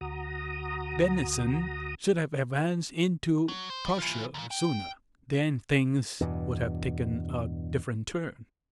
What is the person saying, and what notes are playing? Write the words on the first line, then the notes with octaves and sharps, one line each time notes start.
"Bennigsen should have advanced into Prussia sooner, then things would have taken a different turn..."
D2 F#4 A#5 D#6
F#3
C5
G3
E3 F4
C2 A#2
G5
E2 G2 B2